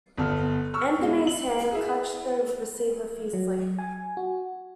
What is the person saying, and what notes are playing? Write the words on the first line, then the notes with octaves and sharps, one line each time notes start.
Anthony's hand clutched the receiver fiercely.
G1 B3 A4 F6
C#6 E6 F6
B2 G#3
F#7
E4 G#4
F#3
G#5
F#4